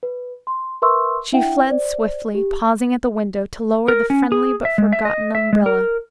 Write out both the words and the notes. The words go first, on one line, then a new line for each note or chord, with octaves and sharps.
She fled swiftly, pausing at the window to lower the friendly but forgotten umbrella.
B4
C6
A#4 B4 E5 C6 C#6 E6
D4 E4 E5 F#5 G5
C5 D5
G4
A#4
C#4
G#4
E5
G#3
E5
D#5
E5
G#3
A#4